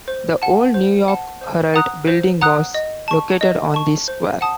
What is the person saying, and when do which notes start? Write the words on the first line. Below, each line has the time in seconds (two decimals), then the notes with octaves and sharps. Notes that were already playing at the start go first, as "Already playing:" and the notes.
The old New York Herald Building was located on the square.
0.08 C5
0.42 F#5 A5
0.74 C5
1.08 F#5 A5
1.41 C5
1.74 F#5 A#5 D#6 F#6
2.07 C5
2.41 F#5 A#5 D#6 F#6
2.74 D#5
3.08 A5 C#6
3.41 D#5
3.74 A5 C#6
4.08 C5
4.41 F#5 A5 D#6